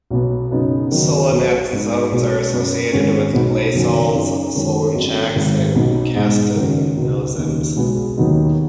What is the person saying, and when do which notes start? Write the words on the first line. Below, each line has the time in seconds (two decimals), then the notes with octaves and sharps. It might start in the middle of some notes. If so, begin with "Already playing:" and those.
Solonetz zones are associated with gleysols, solonchaks and kastanozems.
0.10 B1 B2 B3
0.51 F#2 C#3 B3 D#4
0.91 F#1 F#2 D#3 F#3 D#4
1.32 B1 B2 B3
1.72 G#2 G#3 B3 D#4
2.12 B1 B2 G#3 C#4
2.52 F#2 F#3 B3
2.92 G#1 G#2 G#3 C#4
3.33 B1 B2 B3 D#4
3.73 F#1 F#2 D#3 F#3 C#4
4.14 F#2 C#3 B3 D#4
4.54 F#2 D#3 G#3 C#4
4.94 G#1 F#2 D#3 B3 D#4
5.35 G#1 G#2 D#3
5.75 B1 B2 B3 D#4
6.16 G#2 G#3 D#4
6.56 F#1 F#2 D#3
6.96 C#2 B2 B3 D#4
7.36 D#2 C#3 B3 D#4
7.76 B1 B2 G#3 B3
8.17 D#2 D#3 F#3 B3 D#4